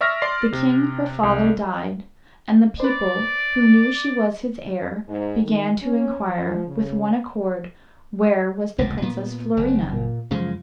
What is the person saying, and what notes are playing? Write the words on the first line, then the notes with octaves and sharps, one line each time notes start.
The king her father died, and the people, who knew she was his heir, began to inquire, with one accord, where was the Princess Florina?
D5 E5 C#6 F6 A#6
D5 C6 C7
C3
C2
B4 C5 D5
G#2
D#3
C#4
F3
C#3
F1 C#2 A#2
A#2 B3
F#1
A#2
F#2 C#3 F3 G#3